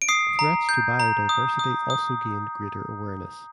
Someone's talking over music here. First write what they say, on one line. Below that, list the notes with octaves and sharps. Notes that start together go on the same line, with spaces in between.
Threats to biodiversity also gained greater awareness.
D7
D#6 C7
A#5
G6
A#5
D#6
D#6
D#6